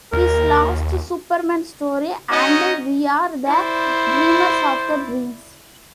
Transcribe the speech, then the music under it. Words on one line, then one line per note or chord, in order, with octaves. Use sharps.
His last Superman story, ...And We Are the Dreamers of the Dreams!
D#2 A#4
C#4 D#4 F#4 D#5
E4 C5 D5